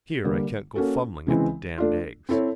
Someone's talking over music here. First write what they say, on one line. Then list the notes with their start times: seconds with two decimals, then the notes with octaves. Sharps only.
Here, I can't go fumbling at the damned eggs.
0.24 D3 G3 A#3
0.76 A#3 C#4 F#4 A4
1.27 C#3 E3 G#3 C4 E4
1.78 A3 D4 F4
2.29 C4 E4 A4 C#5